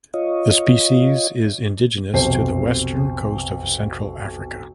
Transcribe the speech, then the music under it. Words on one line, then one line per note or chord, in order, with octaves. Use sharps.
The species is indigenous to the western coast of Central Africa.
F4 C#5 D#5
B1 F2 C3 C5 A5 C7